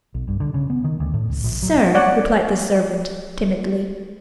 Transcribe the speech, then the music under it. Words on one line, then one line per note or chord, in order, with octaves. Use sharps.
"Sir!" replied the servant, timidly.
B1
G2
D3
C#3
B3
D#3
D2
A2
C#2
A#1
F#3
C#5 D5 F#5